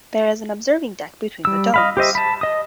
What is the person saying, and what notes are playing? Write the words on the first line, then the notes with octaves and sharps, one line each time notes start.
There is an observing deck between the domes.
G3 E6
D#5 F5 B5
G4 C5 D#5 E5
A5 B5
D#5 D#6